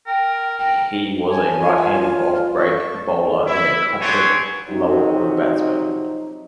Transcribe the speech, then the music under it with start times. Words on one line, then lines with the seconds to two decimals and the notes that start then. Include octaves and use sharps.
He was a right-handed offbreak bowler and a competent lower-order batsman.
0.07 A#4 G5
0.57 G5
1.28 C#5 G#5 A5
1.62 F4
2.55 A5 C#6
3.47 E4
4.00 B3 C4 D4 C#5 G#5
4.68 C3 F3 F#3 D#4